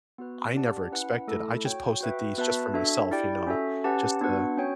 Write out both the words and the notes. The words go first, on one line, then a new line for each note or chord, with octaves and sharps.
I never expected. I just posted these just for myself, you know, just to
B3 F#4 B4
C#4 G4 D5 F#5 A5
C#4 E4 B4 F#5
A3 E4 A4
F#4 C#5 G5
F#4 B4 E5 G5
B3 F#4 B4 E5 A5
D4 F#4 A4 E5
E4 G4 D5 G5
C#4 F#4 A4 E5
C#4 G4 B4 F#5 A5
B3 D4 F#4 B4 F#5
C#4 F#4 C#5 G5